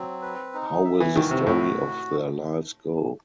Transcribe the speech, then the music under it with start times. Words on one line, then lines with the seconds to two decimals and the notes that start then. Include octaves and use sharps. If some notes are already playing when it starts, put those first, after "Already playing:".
How will the story of their lives go?
Already playing: F#3 C4
0.22 B4
0.54 D#4
0.84 E5
1.00 E3
1.15 D#3 F#4
1.31 C3
1.47 A2 F#4